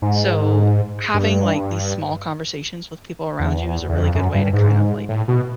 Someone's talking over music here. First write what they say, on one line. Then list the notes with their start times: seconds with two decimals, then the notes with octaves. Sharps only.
So, having, like, these small conversations with people around you is a really good way to, kind of, like,
0.02 G#2
1.14 G2
3.40 E2
3.89 E2
3.97 F2
4.15 F#2
4.35 G2
4.53 G#2
5.09 A2
5.28 B2